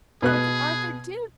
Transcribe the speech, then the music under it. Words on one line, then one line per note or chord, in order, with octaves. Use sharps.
What did Arthur do?
B2 G#4 B4 F#6